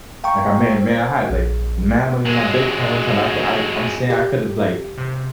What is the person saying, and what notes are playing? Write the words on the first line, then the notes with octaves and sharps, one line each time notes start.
like, I may may have, like, mad money in my bank account one time, I ca I I'm saying I could have, like,
F5 G5 A#5 C#6
C5
A#1
F#3 G#3
G4
C3